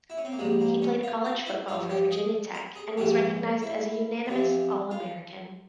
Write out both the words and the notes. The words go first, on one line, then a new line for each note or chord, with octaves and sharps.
He played college football for Virginia Tech, and was recognized as a unanimous All-American.
E4
C#4
C4
A#3
A#1 G#2 G3 G#3
A#3
C#4
F4
F4
E4
G2 F3 F4
G4
G#4
A#4
G#4
A#1 G#2 E3 G4
E4
E2 C3 F3
F4